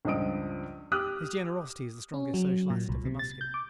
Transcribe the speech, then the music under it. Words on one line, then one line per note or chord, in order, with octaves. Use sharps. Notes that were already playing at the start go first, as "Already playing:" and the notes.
His generosity is the strongest social asset of the Muscular.
C#2 G2 F3 D#5 D#6 D7
G4 D6 D#6 F6 F#6
C#4
F#3
A#2
C2
C3
A6
G6
D6